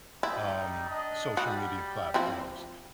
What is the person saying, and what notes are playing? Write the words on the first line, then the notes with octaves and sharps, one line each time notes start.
um, social media platforms.
G3 D#4 E4
D4 D#5
G3 F#4
F3 C4 E4